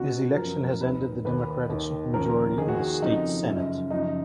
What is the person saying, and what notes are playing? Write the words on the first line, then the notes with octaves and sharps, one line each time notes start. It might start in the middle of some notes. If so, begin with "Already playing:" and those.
His election has ended the Democratic supermajority in the State Senate.
Already playing: C#2 B2 F#4
F#2 F3 A#4
D#2 D#3 B4
D#2 D#3 B4
D#2 D#3
D#2 C#3 F3 A#4
D#2 D#3 G#4
F#4
G#4
F2 C#3 F3 D#4
F#2 C#3 F3
F#2 C#3 F3 D#4